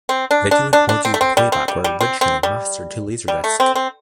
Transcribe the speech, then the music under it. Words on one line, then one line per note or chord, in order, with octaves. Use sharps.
Video and audio playback were originally mastered to laserdisc.
C4
D4
D4
D4
D4
C4
A3
C4
G3
C4
G3
G3
C4
C4
G3
G3
A3
C4
C4